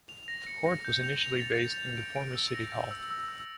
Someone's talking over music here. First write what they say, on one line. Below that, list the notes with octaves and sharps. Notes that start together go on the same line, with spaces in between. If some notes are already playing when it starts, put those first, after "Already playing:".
The court was initially based in the former city hall.
F7
A#6
C#7
A#6
G6
F7
F7
A6
F7
F7
D7
D7
E6
A#6
E6
E6
E6
E6